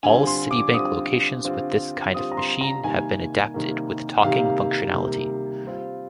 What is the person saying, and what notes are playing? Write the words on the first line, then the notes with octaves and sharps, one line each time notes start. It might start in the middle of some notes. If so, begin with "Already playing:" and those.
All Citibank locations with this kind of machine have been adapted with talking functionality.
D3 G3 C4 F4 G#5
C6
D6
D3 G3 C4 F4 D#6
D3 G3 C4 F4
D3 G3 C4 F4 D#6
A#5
C6
A#5
C3 D#3 G3 A#3 G#5
C3 D#3 G3 A#3
C3 D#3 G3 A#3 F5
C3 D#3 G3 A#3
G3 C4 F4